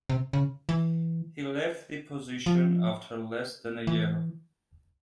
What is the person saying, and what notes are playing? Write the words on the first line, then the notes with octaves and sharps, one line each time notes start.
He left the position after less than a year.
C3
C#3
E3
F3
E3